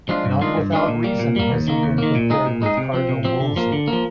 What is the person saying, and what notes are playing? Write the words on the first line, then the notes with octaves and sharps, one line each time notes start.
Not without reason has he been compared with Cardinal Wolsey.
F3 G#3 D4 F4
G2
D#3 G#3 D4 F4
G2
D#3 G#3 D4 F4
A#2
G3 A#3
A#2
G3 A#3
D#2
D#3 A#3
D#2
D#3 A#3
A#2
G#3 D#4 G#4
A#2
G#3 D#4 G#4
C3
F3 C4
C3
F3 C4
D3
F3 A#3
D3
A#3
F3